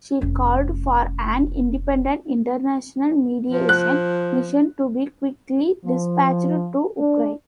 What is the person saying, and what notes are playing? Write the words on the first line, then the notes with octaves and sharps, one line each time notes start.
She called for an independent international mediation mission to be quickly dispatched to Ukraine.
F1 C#4
F3
F#6
F3
D4